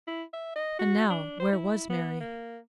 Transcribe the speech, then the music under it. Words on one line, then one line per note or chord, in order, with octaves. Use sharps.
And now, where was Mary?
E4
E5
D#5
F#4
D4
C5
E4
B3
A#3